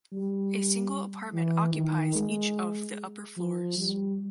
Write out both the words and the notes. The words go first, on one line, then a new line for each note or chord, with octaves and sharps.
A single apartment occupies each of the upper floors.
G3
E3
D#3
G#3
F3
G3